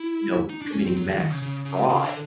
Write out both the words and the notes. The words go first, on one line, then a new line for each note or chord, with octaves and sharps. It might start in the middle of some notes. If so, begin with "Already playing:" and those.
you know, committing max fraud,
Already playing: E4
D#4
D4
C#4
C4
F#3
E3
D#3
C#3
C#3
C#3
C#3
D3